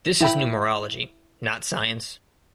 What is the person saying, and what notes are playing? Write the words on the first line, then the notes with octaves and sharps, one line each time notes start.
This is numerology, not science.
E4 G5 B5